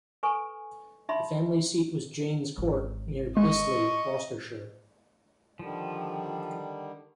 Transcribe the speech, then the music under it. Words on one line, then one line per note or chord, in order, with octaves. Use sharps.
The family seat was Jaynes Court, near Bisley, Gloucestershire.
A4 B4 G#5 C#6
D#4 E5 B5 C6
G#1
G#3 D#5 C#6
D3 D#3 F3 G3